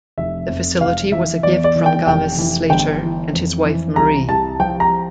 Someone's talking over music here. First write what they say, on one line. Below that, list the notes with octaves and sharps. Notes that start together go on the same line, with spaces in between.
The facility was a gift from Games Slayter and his wife Marie.
F1 E5
F2
F1 F5
E3 E5
E2 D5
D5
E3
G5
F1 G5
E3
G1 G5
E3
F2
E3
C2 A#5
C2 A5
F3 G5
A#5